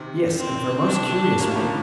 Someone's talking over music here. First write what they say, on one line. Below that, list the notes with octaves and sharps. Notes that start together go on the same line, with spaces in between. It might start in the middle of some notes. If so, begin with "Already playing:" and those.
"Yes, and for a most curious one."
Already playing: C3 D#3
C4
D3
C3 D#3 D4
A2 C3
A2 C3 A#3
D#3
A#2 D3